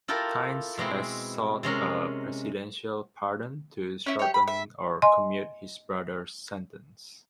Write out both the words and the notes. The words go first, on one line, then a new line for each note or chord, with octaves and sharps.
Tynes has sought a presidential pardon to shorten or commute his brother's sentence.
E4 F4 G4 A4 A#4
B2 G#3 C4 E4
C3 G#3 C#4 A#4
C#4 E4
G4 C#5
B5
E5
D#5 G#5 C6